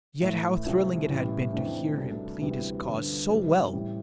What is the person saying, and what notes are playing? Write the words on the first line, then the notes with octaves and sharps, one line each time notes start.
Yet how thrilling it had been to hear him plead his cause so well!
A2 E3 A3
C2 C3 F3 A3 E4
A1 A2 E3 G3
F1 F2 E3 A3 D4
C2 B2 A3 D4 A4
D2 C3 E3 G3 B3
G2 D3 F3 B3
F2 C3 E3 G3
A2 E3 G3